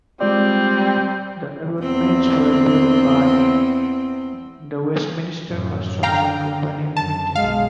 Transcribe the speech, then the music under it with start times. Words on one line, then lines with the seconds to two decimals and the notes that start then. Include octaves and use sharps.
The abutments were built by the Westminster Construction Company Limited.
0.21 G3 G#3 C4 F4 D5
1.81 E2 C4
5.48 F#2 A2
6.03 D3 F5 G5 A#5
6.97 F#2 A5
7.35 B1 G#3 F5